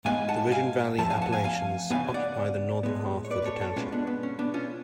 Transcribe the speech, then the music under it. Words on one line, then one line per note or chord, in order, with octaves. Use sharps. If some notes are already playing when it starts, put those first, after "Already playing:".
The Ridge-and-Valley Appalachians occupy the northern half of the township.
G#2 G#3 B3 F5 G#5
F#5 A5
F5 G#5
F2 F3 A3 A5
F5 G#5
F#5 A5
F5 G#5
F5 G#5
C#3 G#3 B3 F5 G#5
D5 F#5
A2 G#3 B3
C#5
B4 D5
B4
A4 C#5
A4 C#5
B2 G#3 B3 C#4 F4
B3 D4
B3
C#4
B3 D4
C#4 F4